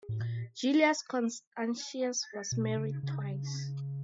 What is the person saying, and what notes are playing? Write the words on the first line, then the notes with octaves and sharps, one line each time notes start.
Julius Constantius was married twice.
A2
A#2
B2
C#3
C#3